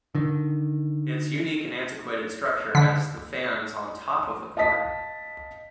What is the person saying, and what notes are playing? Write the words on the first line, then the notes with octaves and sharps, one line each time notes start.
Its unique and antiquated structure has the fans on top of the court.
D3 D#3
D3 B6
D#5 F5 A5 D#6 B6